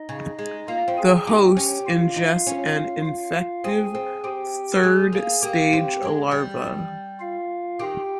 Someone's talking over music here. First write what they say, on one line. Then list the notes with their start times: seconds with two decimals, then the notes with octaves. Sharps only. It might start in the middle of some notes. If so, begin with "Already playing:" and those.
The host ingests an infective third stage larva.
Already playing: D#4 D#5
0.09 C#3
0.39 G#3
0.68 A#3 F4 F5
0.88 C4
0.98 G#4 G#5
1.27 D#4 G4 G5
1.57 C#4
1.86 F4 F5
2.16 D#4
2.47 C#4
3.06 F4 F5
3.64 C4 G#4 G#5
3.95 C4
4.24 C4 G4 G5
4.83 G#3 G#4 G#5
5.13 A#3
5.42 A#3 G4 G5
5.73 C4
6.03 G#3
6.31 G3
7.20 F4 F5
7.79 D#3 G4 G5